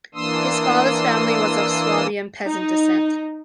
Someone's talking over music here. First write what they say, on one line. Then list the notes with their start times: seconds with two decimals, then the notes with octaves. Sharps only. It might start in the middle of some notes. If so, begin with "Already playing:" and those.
His father's family was of Swabian peasant descent.
0.15 E3 A#3 D4 C6 D#6 E6
2.44 D#4